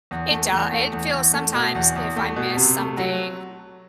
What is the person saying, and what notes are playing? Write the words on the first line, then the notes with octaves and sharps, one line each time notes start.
It doe it feels sometimes, if I miss something,
E2
A3
E2
A3
E2
E2
A3
B2
E2
E2
A3
B2
C3
A3
F#3